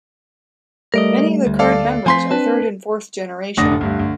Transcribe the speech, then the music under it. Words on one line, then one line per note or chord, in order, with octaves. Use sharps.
Many of the current members are third and fourth generation.
G3 A3 A#4 D5 D#5
D2
A4 D5 F5
F3 A3 C4 G#5 C6 B6
C4 D4 B4 A5
F1 A2 D3 D4 D#6 A#6
D2 G2
D2